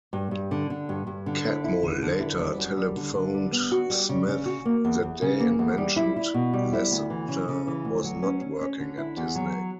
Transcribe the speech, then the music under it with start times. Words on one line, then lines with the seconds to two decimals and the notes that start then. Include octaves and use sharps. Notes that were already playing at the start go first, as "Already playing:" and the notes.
Catmull later telephoned Smith that day and mentioned Lasseter was not working at Disney.
0.13 G2
0.31 G2
0.51 D3
0.70 D3
0.89 G2
1.07 G2
1.26 D3
1.45 E4
1.64 E4
1.83 D3
2.02 D3
2.20 E4
2.39 G3
2.57 F#2
2.77 G3
2.96 D3
3.15 D3
3.34 G3
3.52 B3
3.72 F#4
3.90 G3
4.09 C#3
4.28 C#3
4.46 F#4
4.65 A#3
4.85 E2
5.02 E2
5.22 C#3
5.40 A#3
5.59 E2
5.78 G3
5.96 E4
6.16 E4
6.34 B2
6.53 G3
6.73 E4
6.91 D2
7.10 E3
7.28 C#3
7.48 C#3
7.67 E3
7.85 D2
8.04 F#3
8.23 C#4
8.42 C#4
8.61 C#4
8.79 D3
8.98 E4
9.17 E2
9.35 F#3